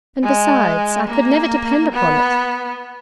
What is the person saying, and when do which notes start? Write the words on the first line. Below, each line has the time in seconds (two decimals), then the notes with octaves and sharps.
And besides, I could never depend upon it.'
0.23 G#3
1.08 A#3
1.92 B3